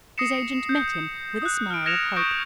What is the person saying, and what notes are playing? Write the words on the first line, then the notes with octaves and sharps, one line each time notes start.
His agent met him with a smile of hope.
D#6 A#6 C7 C#7 E7
G6
D#6 F#6
F6 D7
F6 G#6 A#6 C#7 E7 F7
C#6 D#6 F#6 G6 A#6 D7